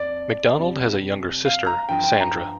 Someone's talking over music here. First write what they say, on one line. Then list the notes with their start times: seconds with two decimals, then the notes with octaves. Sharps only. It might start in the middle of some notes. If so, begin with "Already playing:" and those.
McDonald has a younger sister, Sandra.
Already playing: F2 D5
0.59 F2 C3 G3
1.45 F5
1.67 A#5
1.89 G2 F3 G5
2.04 G5
2.20 A#5